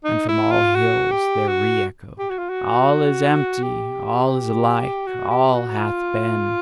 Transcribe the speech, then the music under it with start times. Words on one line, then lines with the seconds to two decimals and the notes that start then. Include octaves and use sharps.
And from all hills there re-echoed: 'All is empty, all is alike, all hath been!'
0.04 D#4
0.28 E4
0.51 F4
0.75 F#4
1.11 G4
1.47 F#4
2.19 G4
2.30 F#4
2.38 F4
2.49 F#4
3.63 G4
5.07 F#4
5.30 G4
5.54 F#4
5.78 F4